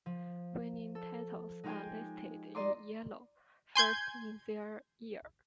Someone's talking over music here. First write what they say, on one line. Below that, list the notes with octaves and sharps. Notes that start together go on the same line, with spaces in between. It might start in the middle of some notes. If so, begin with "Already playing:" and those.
Winning titles are listed in yellow, first in their year.
F3
A4
G#3 D#4 F4 G4 G5 G#5
D5 D#5 A#5 C6 D6
G#5 C6 G6 G#6